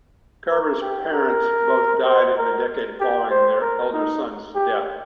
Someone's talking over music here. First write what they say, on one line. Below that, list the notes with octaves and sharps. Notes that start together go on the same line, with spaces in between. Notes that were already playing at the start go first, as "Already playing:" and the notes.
Garber's parents both died in the decade following their elder son's death.
A#4
G4
A#4
C5
A#4
G4
C5
A#4
D#4
G4